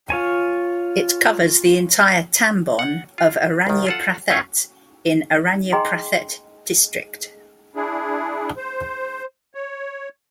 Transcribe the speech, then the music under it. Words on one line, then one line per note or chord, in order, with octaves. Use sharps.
It covers the entire "tambon" of Aranyaprathet, in Aranyaprathet District.
F4 C#5 G#5
F#5
F4
C2 D#3
F4 A4 F#5
A3 C#4 F4
G#4 D#5 G5 G#5 A#5 C6
D4 E4 G#4
C5
C#5